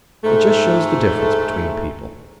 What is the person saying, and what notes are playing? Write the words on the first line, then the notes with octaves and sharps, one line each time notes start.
It just shows the difference between people.
G#2 A3